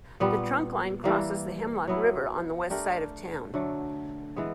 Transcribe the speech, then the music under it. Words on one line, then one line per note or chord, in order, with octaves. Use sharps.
The trunkline crosses the Hemlock River on the west side of town.
A#2 G3 B3
E3 G3 A#3
F#3 B3 E4
A3 D4 G4 A#4
D3 F#3 A3
E3 G#3 B3